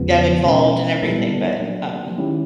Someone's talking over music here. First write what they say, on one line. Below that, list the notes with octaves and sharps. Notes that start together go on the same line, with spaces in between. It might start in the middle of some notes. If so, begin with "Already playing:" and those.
them involved and everything, but, um
Already playing: E2 C#3 F3 G#3 B3
B2 G#3 C#4
A#2 G3 B3 E4 A4
F#3 A#3 D4
D#3 G#3 C#4 E4 G4